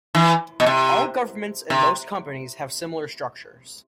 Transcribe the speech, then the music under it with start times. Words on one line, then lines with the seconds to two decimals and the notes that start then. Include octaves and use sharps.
All governments and most companies have similar structures.
0.15 E3
0.60 B2
0.66 C3
1.70 C3